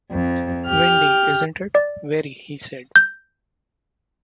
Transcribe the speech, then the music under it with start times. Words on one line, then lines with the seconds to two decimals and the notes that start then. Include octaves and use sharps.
Windy, isn’t it?’ ‘Very,’ he said.
0.11 F2
0.66 G4 F6
1.75 D5
2.96 G6